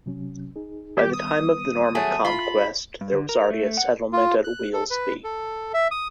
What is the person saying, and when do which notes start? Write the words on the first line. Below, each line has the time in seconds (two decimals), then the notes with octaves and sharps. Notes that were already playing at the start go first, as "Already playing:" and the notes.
By the time of the Norman conquest there was already a settlement at Weelsby.
0.06 C3 F#3 C#4
0.56 D#4 G#4
0.97 D#3 G3 B3 G4
1.13 D#6
1.95 F#3 A3 G#4
2.25 F4 B5
3.01 G2
3.12 D3
3.29 A#4
3.50 A3
3.77 F#5
4.13 F4
4.44 F#6
4.74 A4
4.91 B4
5.24 A4
5.74 E5
5.91 D#6